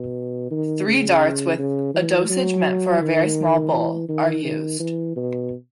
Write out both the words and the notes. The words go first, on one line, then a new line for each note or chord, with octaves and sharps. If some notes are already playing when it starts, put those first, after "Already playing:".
Three darts with 'a dosage meant for a very small bull' are used.
Already playing: B2
D#3
C#3
C#3
E3
F#3
D#3
E3
D#3
D#3
E3
B2